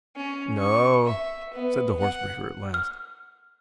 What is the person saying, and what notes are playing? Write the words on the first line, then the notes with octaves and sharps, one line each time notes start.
"No," said the horse-breaker, at last.
C#4
C#6
E5
B3
F#5
F6